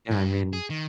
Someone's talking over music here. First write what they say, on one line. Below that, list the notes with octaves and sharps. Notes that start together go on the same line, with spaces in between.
Yeah, I mean
G2
G#4
D#3